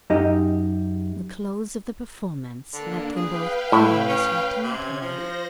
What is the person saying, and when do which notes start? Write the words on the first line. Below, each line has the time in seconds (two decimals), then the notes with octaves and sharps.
The close of the performance left them both curiously tongue-tied.
0.10 F#2 D#4 G4 D#5
2.74 D3 A#3 D4
3.16 G#4 B4 F5 G5
3.72 A2 E4
4.08 C#4
4.63 C3 C#4 G#6
5.01 F3 C5 A#6